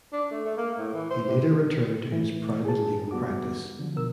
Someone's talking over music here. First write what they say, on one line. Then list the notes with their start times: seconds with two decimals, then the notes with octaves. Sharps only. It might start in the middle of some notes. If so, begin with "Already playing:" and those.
He later returned to his private legal practice.
0.12 D4
0.31 A3
0.45 A3
0.57 A#3
0.78 A2
0.93 E3
1.10 C5
1.28 C3
2.11 E3 A3
2.65 G#4 A5
3.11 G3 B3 F#4 D6
3.79 D3 F3
3.96 B2 A#4 E6